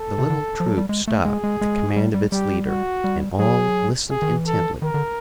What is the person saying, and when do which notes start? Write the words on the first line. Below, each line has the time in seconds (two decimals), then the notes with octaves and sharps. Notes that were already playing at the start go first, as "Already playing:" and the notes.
The little troop stopped at the command of its leader and all listened intently.
Already playing: A4
0.18 C3
0.30 D3
0.60 F3
0.66 F#3
0.77 G3
0.89 G#3
1.08 A3
1.24 G#3 G#4
1.44 G#3
1.61 G#3
1.96 G3
2.14 G3
2.32 G3 G4
2.67 F#4
3.04 G3
3.39 F#3 G#4
4.10 G#4
4.22 D#3
4.29 E3
4.47 A4
4.82 D#3 A#4
4.94 D3